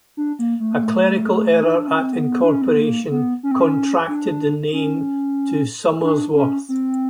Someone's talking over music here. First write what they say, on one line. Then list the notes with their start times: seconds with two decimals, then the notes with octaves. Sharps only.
A clerical error at incorporation contracted the name to "Somersworth".
0.17 D4
0.39 A#3
0.60 A3
0.73 A#3
0.83 A3
1.63 D#4
1.75 D4
1.88 C#4
2.00 C4
2.13 B3
2.44 D4
2.53 C#4
2.62 C4
2.70 B3
2.77 A#3
3.11 B3
3.43 C#4
3.51 C4
3.60 C#4
4.08 D4
4.73 C#4
6.03 D4
6.35 C#4
6.69 C4